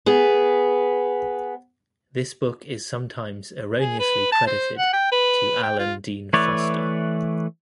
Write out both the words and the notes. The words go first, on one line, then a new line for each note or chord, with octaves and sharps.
This book is sometimes erroneously credited to Alan Dean Foster.
B3 G#4
G#4
B4
A5
C5
F#5
G5
B4
G5
F4
E3 A3 B4 C#5 D5